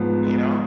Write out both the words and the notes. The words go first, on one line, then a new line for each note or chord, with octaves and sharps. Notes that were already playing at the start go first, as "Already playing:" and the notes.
you know?
Already playing: G#2 F3 B3